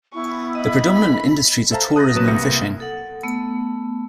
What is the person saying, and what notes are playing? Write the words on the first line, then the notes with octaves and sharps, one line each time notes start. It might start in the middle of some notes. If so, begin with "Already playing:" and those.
The predominant industries are tourism and fishing.
B3 E4 C#6
D#5 B5
A4 C5 E5 F5 A5 A#5
D#6 F#6 G6 A6 A#6
F#3 B3 B4 D#6 E7
C2 A#3 E5 A#6 C#7
A4 F#5
A3 B3 E6